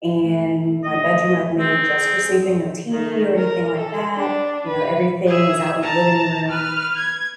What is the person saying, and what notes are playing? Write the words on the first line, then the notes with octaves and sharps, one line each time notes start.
and my bedroom I've made just for sleeping, no TV or anything like that, you know, everything is out in the living room,
A3
D#5
C4 G#4
D#3
A#4
A4
D4
B4
G#4 E5
A5 A#5
B4 F6
G#6